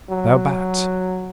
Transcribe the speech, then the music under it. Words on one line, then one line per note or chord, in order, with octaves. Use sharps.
Thou bat!
F#3